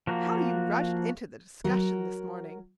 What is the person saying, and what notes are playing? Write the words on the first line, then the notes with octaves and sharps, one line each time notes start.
How you rushed into the discussion this morning!
F3 A#3 F#4
F#3 A#4